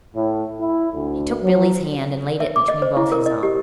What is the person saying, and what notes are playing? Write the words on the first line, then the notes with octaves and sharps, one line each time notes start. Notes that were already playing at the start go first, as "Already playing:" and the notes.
He took Billie's hand and laid it between both his own.
A2
E4
D2
F#3
E5
D6
D#5
C5
E4
A#4
D#5
G4